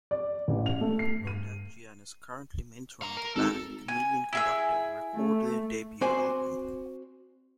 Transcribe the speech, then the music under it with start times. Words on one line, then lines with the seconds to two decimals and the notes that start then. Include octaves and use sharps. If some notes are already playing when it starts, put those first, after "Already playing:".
Odadjian is currently mentoring the band Chameleon Conductor record their debut album.
0.11 D5
0.48 A1
0.66 F7
0.81 A3
0.99 C7
1.27 D#7
3.02 F5 A#5
3.17 A#4
3.36 G#1 A4
3.88 G#5
4.33 E4 G#4 E6
5.15 A3
6.01 C4 F#4 C5 D5 G#5